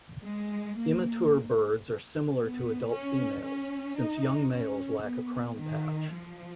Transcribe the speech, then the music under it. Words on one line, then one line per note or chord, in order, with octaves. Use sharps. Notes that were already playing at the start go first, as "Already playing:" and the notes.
Immature birds are similar to adult females, since young males lack a crown patch.
G#3
A#3
B3
C#4
C#4
D#4
C#4
B3
D#3
F3